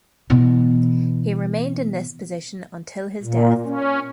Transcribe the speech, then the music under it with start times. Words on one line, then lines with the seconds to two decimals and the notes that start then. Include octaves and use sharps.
He remained in this position until his death.
0.30 B2 E3
3.23 A#2
3.66 C#4